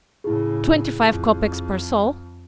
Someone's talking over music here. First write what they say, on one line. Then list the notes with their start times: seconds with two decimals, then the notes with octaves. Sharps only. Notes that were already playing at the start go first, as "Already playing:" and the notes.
"Twenty-five kopecks per soul."
0.24 A2 C#3 E4 G#4
1.08 F2